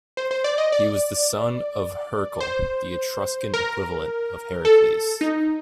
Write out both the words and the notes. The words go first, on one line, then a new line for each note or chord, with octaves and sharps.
He was the son of Hercle, the Etruscan equivalent of Heracles.
C5
C5
D5
D#5
D5
C5
A#4
A4
D#4